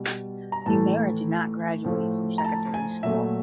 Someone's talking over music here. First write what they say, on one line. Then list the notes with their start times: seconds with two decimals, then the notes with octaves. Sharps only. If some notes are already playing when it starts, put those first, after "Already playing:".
Nomura did not graduate from secondary school.
Already playing: B2 G3
0.52 A#5
0.66 A2 E3 A3 A5
1.84 A2 F3 A3
2.38 A#5
2.44 A5
2.74 G#5
3.03 A#2 F#3 A3 E5